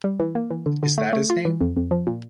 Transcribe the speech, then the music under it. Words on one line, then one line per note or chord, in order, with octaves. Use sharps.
Is that his name?
G3
E3
A#3
E3
D3
D3
A3
A3
F4
E3
F2
F2
F3
A#2